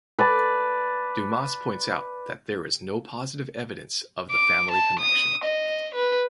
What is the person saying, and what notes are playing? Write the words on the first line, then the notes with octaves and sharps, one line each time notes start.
Dumas points out that there is no positive evidence of the family connection.
B4 D5 A5
D6
A5
D#6
D#5
B4